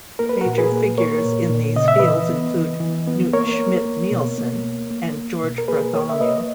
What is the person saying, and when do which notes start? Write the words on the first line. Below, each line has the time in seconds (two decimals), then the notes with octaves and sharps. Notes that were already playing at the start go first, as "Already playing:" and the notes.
Major figures in these fields include Knut Schmidt-Nielsen and George Bartholomew.
0.19 A#3 A#4
0.29 B4
0.41 A#2 F#4 A#4
0.58 G#4 B4
0.72 A#3
0.98 A#3 A#4 C#5
1.25 A#2
1.50 A#2
1.76 C#3 D#5
1.88 E5
1.99 E3 B4 D#5
2.29 B3
2.55 E3
2.80 E3
3.07 B3
3.33 A#3 A#4 C#5
3.59 A#3
3.85 A#3
4.11 B2
4.38 A#3
4.64 A#3
4.91 A#3
5.16 A#3
5.43 B2
5.58 A#4
5.68 A#3 G#4 B4
5.94 A#3 A#4 C#5
6.09 E5
6.21 A#3 B4 D#5